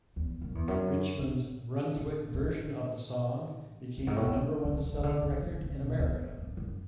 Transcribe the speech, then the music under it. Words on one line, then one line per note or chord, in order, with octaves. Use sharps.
Richman's Brunswick version of the song became the number-one selling record in America.
E2
F#2
E2
F#2
A2
A2
A2
F#2
G#2
A2
B2
D3
C#3
C#3
D3
D3
D3
C#3
B2
E2
F#2
F#2